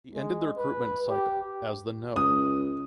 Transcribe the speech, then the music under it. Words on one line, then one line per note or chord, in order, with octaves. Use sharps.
He ended the recruitment cycle as the no.
G#3
B4
G4
C#2 D#6